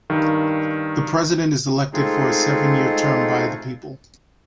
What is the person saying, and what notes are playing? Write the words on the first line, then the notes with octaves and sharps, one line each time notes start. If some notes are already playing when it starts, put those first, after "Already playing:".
The president is elected for a seven-year term by the people.
G2 D#3 F5
G#3 A3 C4 D#4 F4 G#4